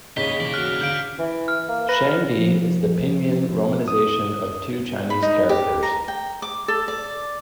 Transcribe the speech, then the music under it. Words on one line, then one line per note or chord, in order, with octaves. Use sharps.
"Shang Di" is the pinyin romanization of two Chinese characters.
D#2 C#3 G4 B4 D#5 B6 G7
B2 E3 A#4 D5
F#4 F6 F#6
D3 F5 G6 D7
E3
F6
A#3
B4 A#6
F3
D#6
B5
D#4
G4
A#5
G5
D6
A4
D5